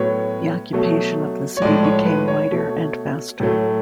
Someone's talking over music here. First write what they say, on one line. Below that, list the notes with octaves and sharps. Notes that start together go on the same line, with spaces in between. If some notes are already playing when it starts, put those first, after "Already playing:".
The occupation of the city became wider and faster.
Already playing: A2 F#3 B3 C#5
B2 F#3 A3
C#5
A2 F3 G#3 D5
C#5
B4
C#5
B2 A3
A2 F#3 A3